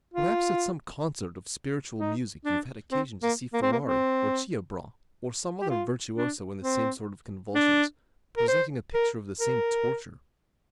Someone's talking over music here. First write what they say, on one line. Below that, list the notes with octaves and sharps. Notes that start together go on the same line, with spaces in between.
Perhaps at some concert of spiritual music you've had occasion to see Ferrari or Chiabran or some other virtuoso in the same sort of convulsions, presenting a picture of the same torture.
F4
D#4
D4
C4
A#3
A#3
C4
A#3
C4
G4
F4
D4
C4
D4
A#4
C5
A#4
A#4